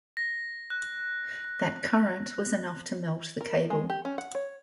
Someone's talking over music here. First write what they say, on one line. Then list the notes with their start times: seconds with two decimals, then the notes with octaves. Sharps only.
That current was enough to melt the cable.
0.17 A#6
0.70 F#6
3.41 A#4
3.70 G#3
3.90 G4
4.05 C#4
4.18 F#5
4.35 C#5